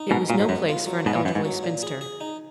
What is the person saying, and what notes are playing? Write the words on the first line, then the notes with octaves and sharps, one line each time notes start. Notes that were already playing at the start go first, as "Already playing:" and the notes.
It was no place for an elderly spinster.
Already playing: D#4
G#2 B2 A#4
A#2 F#3
G#2
F#2 B3
F4
F#3
G#2 B2 B3
A#2
F#2 B3
G#2
F#3
A#2
G#4
G#4
D#4